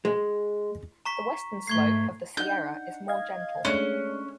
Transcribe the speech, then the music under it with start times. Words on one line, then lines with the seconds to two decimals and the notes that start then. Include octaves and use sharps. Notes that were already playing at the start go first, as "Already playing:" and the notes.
The western slope of the Sierra is more gentle.
0.05 G#3
1.06 A#5 C#6 B6
1.67 G#2 A3 C#6 G#6 C7
2.37 D4 D#4 F#5 G6
3.08 D#5 F5 G#6
3.65 G#3 A3 C#4 D4 F#6